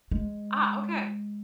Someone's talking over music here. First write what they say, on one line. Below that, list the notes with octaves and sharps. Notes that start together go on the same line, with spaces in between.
Ah, okay.
G#3